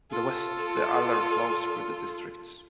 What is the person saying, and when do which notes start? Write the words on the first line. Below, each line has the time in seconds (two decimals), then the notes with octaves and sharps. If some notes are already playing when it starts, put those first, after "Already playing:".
In the west the Aller flows through the district.
0.11 F4 A4